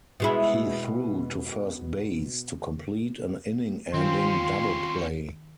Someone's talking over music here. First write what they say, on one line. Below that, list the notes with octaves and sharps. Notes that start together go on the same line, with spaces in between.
He threw to first base to complete an inning-ending double play.
B2 G#3 E4
D#3 C4 C#4 F4 C6